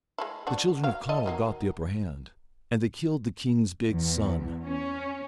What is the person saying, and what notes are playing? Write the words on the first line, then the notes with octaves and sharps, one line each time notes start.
The children of Conall got the upper hand, and they killed the king's big son.
G#3 A3 E4
D3 D4 F#4
F#3 F5
E4 A4 D#5
D#3 F#3 A#3
E2
C#4